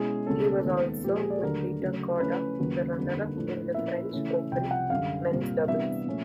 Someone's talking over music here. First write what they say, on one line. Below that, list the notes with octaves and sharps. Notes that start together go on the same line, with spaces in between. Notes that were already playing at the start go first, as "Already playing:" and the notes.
He was also, with Petr Korda, the runner-up in the French Open men's doubles.
Already playing: B2 G#3 C#4 E4 G#4
C#2 B2 G3 A#3 C#4 A4
D#2 D#3 G#3 B3 D#4
A#2 F3 G#3 G4
G#4
D5
D#2 D3 F#3 A3 D4 A#4
C#3 F#3 A3
C#3 F3 A3 C#4 E4 B4
D#2 C#3 F#3 A#3
F2 D3 G3 A#3 D#4
A2 F3 A3 D4
A#2 F3 A#3 C#4 E4 E5
C#3 E3 A3 C#4 E4
C2 C3 F3 G5
F#5
F#2 D3 G3 F5
C2 A#2 G3 C4
C3 E3 G3 B3 D4 E5
A#2 F3 A3 C#4